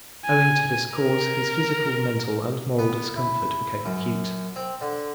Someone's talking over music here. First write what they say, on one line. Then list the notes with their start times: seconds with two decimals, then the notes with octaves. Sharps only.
Owing to this cause his physical, mental, and moral discomfort became acute.
0.25 G#5
0.95 A#4
2.79 B3
3.16 E4
3.85 F#2
4.56 C4
4.81 D3